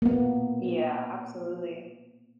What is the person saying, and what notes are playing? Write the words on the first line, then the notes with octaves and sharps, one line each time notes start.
Yeah, absolutely.
A#3 B3